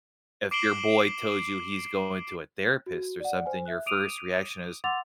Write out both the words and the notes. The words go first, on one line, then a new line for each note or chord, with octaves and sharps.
if your boy tells you he's going to a therapist, or something, your first reaction is,
D6 C7 D7 E7 F#7 G7
F#4
D5 F#5
C5 G#5
E5 F#6
D6 D#6 D7 D#7 F7
F#5 C6 D6 E6 A6 F7